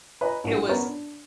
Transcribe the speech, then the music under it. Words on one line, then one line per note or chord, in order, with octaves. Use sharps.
It was
B4 C#5 D#5 G#5 A#5
A#1 A2 G3 F#4
E4
B3 C#4 A#4 C#5
D4